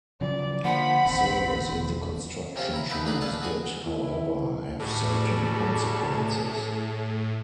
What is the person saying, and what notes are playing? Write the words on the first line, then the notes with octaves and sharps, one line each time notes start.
Service in the construction troops did, however, have certain consequences.
C#3 F3 F#3 D5
D3 F3 A#3 F#5 B5
E1 A#1 D#3 C4
E1
C3 C#4 F4
E4 A#5
D#4 E4 B4 F#5 A5
A1 A3 D4 G#4 A#5 B5
A#2 G#3 A4 B4 F5 A5
G#3 F#4 G#4 G#5
E4
A2 G3 F#4 G#4 D5 A5